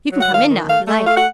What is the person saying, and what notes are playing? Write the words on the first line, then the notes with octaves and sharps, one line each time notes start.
"You can come in now, if you like."
F#3
F#5
D#3 F5
D#3
A3 F5
A3
A3 F5
F#5